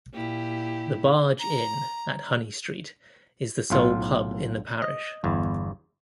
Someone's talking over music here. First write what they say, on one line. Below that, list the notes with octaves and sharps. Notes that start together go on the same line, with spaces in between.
The Barge Inn at Honeystreet is the sole pub in the parish.
A#2 E4 G4
A#5
B1 A2 F4
D#5
G1 E2